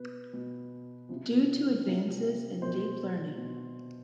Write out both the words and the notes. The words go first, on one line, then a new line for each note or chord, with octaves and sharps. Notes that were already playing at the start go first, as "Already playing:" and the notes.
Due to advances in deep learning.
Already playing: B2 B4
B2
C3 F3
C3 F3
B2 C5
B2